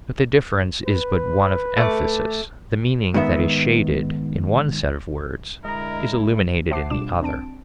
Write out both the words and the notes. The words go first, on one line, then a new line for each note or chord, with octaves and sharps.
But the difference is but one of emphasis; the meaning that is shaded in one set of words is illuminated in the other.
B4
A3 D6
G#2 D#3 B3 E5
D3 G#3 E4 A#4 D#5 A#5
C5 E5 F#5 A5 D6 C7
B2 G3 D4 F4 D6 E7
C4 D4 A5 D7